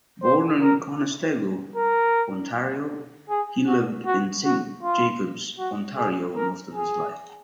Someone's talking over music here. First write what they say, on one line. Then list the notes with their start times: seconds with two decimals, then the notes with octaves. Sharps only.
Born in Conestogo, Ontario, he lived in Saint Jacobs, Ontario most of his life.
0.23 C5
0.62 A#4
1.76 A#4
3.30 G#4
3.67 F#4
4.06 F#4
4.44 F#4
4.83 F4
5.58 F#4
5.97 G#4
6.35 A#4
6.74 G#4